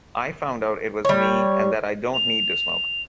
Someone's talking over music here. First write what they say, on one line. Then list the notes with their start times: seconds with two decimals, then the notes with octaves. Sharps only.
I found out it was me and that I don't need to smoke.
1.05 G3 C#5
2.14 F7